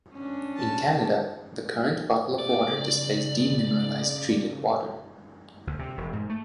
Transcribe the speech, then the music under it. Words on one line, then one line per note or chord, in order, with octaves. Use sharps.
In Canada, the current bottle of water displays "Demineralized Treated Water".
C#4 D4
A5
A3 D5
C#3
D2
C3
E1
G#2
A3